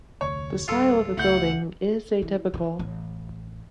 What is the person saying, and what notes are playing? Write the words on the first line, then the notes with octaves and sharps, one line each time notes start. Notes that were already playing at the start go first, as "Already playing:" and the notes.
The style of the building is atypical.
F1 D2 C#5
D1 G3 F4 A4
C#2 A2 F#5 G6
E3
D#3 E3
A1